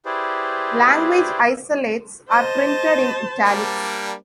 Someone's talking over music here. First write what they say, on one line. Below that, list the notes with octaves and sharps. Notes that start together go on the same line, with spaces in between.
Language isolates are printed in "italics".
E4 G4 G#4 B4 C5 D5
C5 D#5 A5
G3 A#3 D4